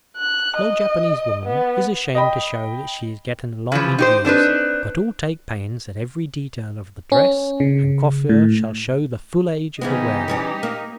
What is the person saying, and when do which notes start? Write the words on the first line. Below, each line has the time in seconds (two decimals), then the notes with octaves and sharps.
No Japanese woman is ashamed to show that she is getting along in years, but all take pains that every detail of the dress and coiffure shall show the full age of the wearer.
0.17 F#6
0.57 D#5
1.46 B3
2.15 D#5 G5 B5
3.72 C#3 E3 F3
3.99 D#4 G4 C5
4.25 C4 D4 D#4 B4
7.12 C#4
7.60 C#3
8.29 A2
9.81 C#3 E3 B3 D#4 G4
10.28 E3 G3 C#4
10.63 A#3